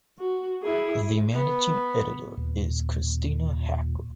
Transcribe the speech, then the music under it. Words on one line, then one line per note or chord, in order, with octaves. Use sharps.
The managing editor is Kristina Hacker.
F#4
E4 G#4
B3
D#2 A#2